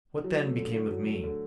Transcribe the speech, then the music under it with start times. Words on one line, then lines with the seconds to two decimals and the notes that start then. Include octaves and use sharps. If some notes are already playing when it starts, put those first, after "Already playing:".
What then became of me?
0.24 F#3
0.41 A3
0.57 D3
0.74 D3
0.90 F#3
1.07 A3
1.23 D3